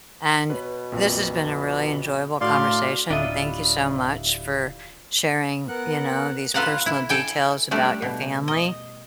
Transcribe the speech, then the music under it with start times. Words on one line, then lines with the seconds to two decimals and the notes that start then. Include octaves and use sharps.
and this has been a really enjoyable conversation. Thank you so much for sharing, you know, these personal details about your family,
0.50 B2 B4 C#5
0.92 A#1 F2 A#2
2.41 A2 D3 A3 F#4 D5 F5 C6
3.10 D1 F#3 G3 D4 E4 F4 D#5
5.68 B3 A#4 F#5 F#6
6.54 F4 A4 B4 F5 F#5 A#5
6.86 E4
7.09 A4 G5 G#5
7.71 G3 A3 D4
8.02 B2
8.48 D#5